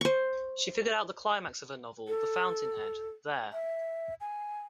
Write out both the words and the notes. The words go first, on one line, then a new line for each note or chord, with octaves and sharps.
She figured out the climax of her novel "The Fountainhead" there.
C5 C#6
A4
E5
G#5